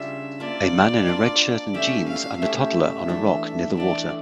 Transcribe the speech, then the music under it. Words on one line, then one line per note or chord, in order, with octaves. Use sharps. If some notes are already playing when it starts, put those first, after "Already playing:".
A man in a red shirt and jeans and a toddler on a rock near the water.
Already playing: C#3 G3 D4 F4 E5
A#3 D4 F4 D5
A#3 D4 F4
A3 C#4 G4 E5
F5
A3 C#4 G4 E5
E3 A3 D4
E3 A3 D4 D5